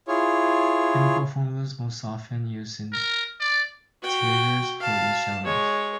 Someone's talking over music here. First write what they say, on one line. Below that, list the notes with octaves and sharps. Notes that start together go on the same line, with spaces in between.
Chemical formulas most often use integers for each element.
E4 F4 G#4 C#5
A#4
D5
F#4 G5
F5 A5
G#3 C#5